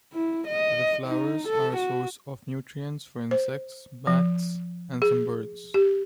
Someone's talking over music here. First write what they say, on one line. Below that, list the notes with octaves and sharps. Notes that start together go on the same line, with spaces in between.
The flowers are a source of nutrients for insects, bats, and some birds.
E4
D#5
D#4
A4
F#4
C5
F3
G#4
G4